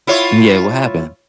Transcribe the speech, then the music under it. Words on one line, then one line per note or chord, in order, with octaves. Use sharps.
Yeah. What happened?
E4 F4 C#5